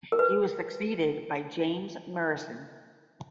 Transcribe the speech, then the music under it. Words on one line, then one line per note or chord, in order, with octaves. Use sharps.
He was succeeded by James Murison.
A#4
B4